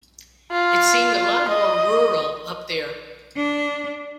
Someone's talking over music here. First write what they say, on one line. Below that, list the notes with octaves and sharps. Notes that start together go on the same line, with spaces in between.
It seemed a lot more rural up there.
F4
D#5
D4